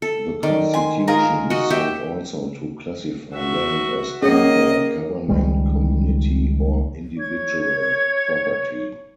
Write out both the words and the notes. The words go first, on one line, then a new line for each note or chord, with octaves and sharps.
The constitution sought also to classify land as either "government, community, or individual" property.
A4
D#3 D5
G#5 C6
F4 G#4 A#4
F#4 D#5
G4 E5 G5
F#4 E5
A#3 C#4 G#4 C#5 D#5 F#5
C#2 D#3 G3 G#3
C#5 G#6